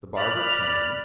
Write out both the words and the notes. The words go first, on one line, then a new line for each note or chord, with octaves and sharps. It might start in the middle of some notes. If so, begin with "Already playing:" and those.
The barber came.
D5 B5 F6 F#6